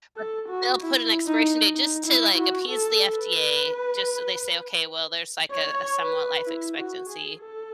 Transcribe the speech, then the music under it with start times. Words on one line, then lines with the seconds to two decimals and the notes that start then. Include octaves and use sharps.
but they'll put an expiration date just to, like, appease the FDA just so they say, "Okay, well, there's, like a, somewhat life expectancy."
0.17 A4
0.49 F#4
0.81 E4
1.27 D#4
1.75 D#4
2.06 E4
2.38 F#4
2.69 A4
3.17 B4
5.52 C#5
5.99 B4
6.46 E4
6.78 F#4
7.09 G#4
7.40 A4